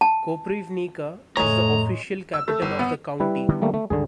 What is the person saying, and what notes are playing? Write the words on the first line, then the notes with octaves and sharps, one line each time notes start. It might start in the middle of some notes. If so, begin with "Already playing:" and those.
Koprivnica is the official capital of the county.
A5
F2 A2 G#3 A3 C#5 A#5
E6
A3
G1
B3
G3 E4 B4
D3 D#3 B3
G3 A3 A#3
A3
C#2 G2 D3 D#3 G#4